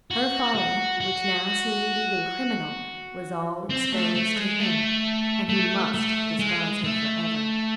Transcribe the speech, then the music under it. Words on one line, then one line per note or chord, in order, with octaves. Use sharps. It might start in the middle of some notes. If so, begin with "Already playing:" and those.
Her folly, which now seemed even criminal, was all exposed to him, and he must despise her forever.
F#4
F#4
F#4
C4
A3
A3
G#3
A3
A3
A3
G#3
A3